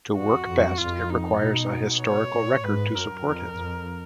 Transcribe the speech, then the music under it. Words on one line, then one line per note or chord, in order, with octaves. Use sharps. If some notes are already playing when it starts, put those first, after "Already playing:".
To work best it requires a historical record to support it.
F2 F#4
F2
F2 F4
D#4
B2
C#5
A#2
G#2 B4
F#2 A#4
F2
F2